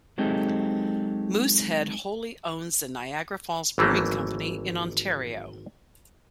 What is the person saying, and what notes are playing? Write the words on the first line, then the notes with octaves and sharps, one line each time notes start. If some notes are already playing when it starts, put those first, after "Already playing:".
Moosehead wholly owns the Niagara Falls Brewing Company in Ontario.
F#3 G#3 C4 D#4 G4 A4
G#1 E3 F#3 A3 A#3